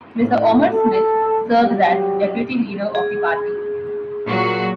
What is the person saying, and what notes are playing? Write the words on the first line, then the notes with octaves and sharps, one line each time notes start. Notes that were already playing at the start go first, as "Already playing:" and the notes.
Mr. Omar Smith serves as Deputy Leader of the party.
A2
A4
F#3 G3 G4
G#4
A#2 F#3 F#4